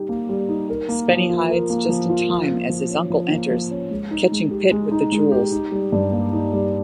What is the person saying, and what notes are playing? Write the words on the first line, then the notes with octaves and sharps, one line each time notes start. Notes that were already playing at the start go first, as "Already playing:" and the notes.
Spennie hides just in time as his uncle enters, catching Pitt with the jewels.
Already playing: G3 D#4 G4
A#3
G3
D#4
A#4
A#3
F3
F4
A#4
A#3
F3
F4
F3
A#3
F3
C#4
F3
A#3
F3
C#4
G#3
D#4
G#3
G4
G#3
D#4
G#3
G4
D#4
G3
G2
A#3
D#4
G3